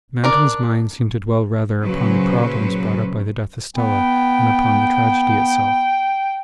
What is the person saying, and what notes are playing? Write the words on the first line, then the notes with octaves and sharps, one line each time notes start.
Manton's mind seemed to dwell rather upon the problems brought up by the death of Stella than upon the tragedy itself.
D4 A#4 D5
A#2 C#3 F#3 C#4 B4 C5
B3 G5